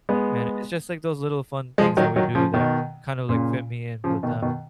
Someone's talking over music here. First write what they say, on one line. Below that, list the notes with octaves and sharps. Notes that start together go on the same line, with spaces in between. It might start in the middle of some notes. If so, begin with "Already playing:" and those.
and it's just like those little fun things that we do that kinda like fit me in with them.
G#3 B3
F3 G#3
D#3 F#3
D#3 F#3
C#3 F3
B2 D#3
A#2 C#3
C#3 F3
B2 D#3
B2 D#3